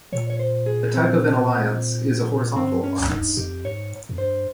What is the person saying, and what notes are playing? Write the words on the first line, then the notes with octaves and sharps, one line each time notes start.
A type of an alliance is a horizontal alliance.
A#2 C#5
C#5
C5
G#4
C4
G2 C4
G#2
G2
C#4
D#4
F2 G4
G#2 C#5
F2
G2 C5